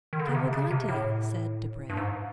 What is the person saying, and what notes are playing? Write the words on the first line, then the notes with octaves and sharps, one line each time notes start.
"Cavalcanti!" said Debray.
D#3
D3
C#3
C3
C#3
C3
A2
G2
G#2